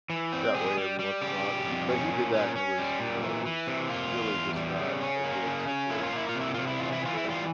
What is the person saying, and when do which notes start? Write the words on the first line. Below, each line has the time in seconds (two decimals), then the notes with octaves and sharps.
that way every once in while, but he but he did that, and it was you know, it was really just not a good situation for me and my kid.
0.10 E3
0.33 C4
0.55 G3 G#4
0.77 G3
0.99 G3
1.22 C#3 G4
1.44 G3
1.66 F2
1.88 C#4
2.11 A#2
2.34 C#4
2.56 C#4
2.78 G3
3.00 A#2
3.22 E3
3.45 E3
3.67 C3
3.89 A#3 F4
4.12 E2
4.34 E2
4.56 G3
4.79 C#3
5.01 C#4
5.24 A#3
5.46 C#3
5.68 C#4
5.90 A#3 E4
6.03 F4
6.13 A#3 E4
6.29 F4
6.35 C3
6.41 E4
6.55 C3 F4
6.67 E4
6.80 E3 F4
6.92 E4
7.02 E3 F4
7.17 E4
7.24 G3
7.30 F4